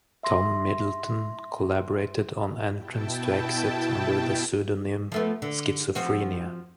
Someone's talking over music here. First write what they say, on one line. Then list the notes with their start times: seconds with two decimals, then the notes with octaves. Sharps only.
Tom Middleton collaborated on "Entrance to Exit" under the pseudonym "Schizophrenia".
0.23 E5 C6 A#6
2.77 B2 E4 G5 A5
5.12 F3 A3 B3
5.42 D3
5.95 F3 C4 F#4